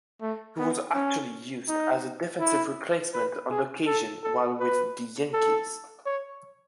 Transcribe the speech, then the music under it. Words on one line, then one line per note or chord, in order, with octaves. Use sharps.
He was actually used as a defensive replacement on occasion while with the Yankees.
A3
B3
C#4
D#4
E4
B4
G#4
A4
A4
B4
A4
C#5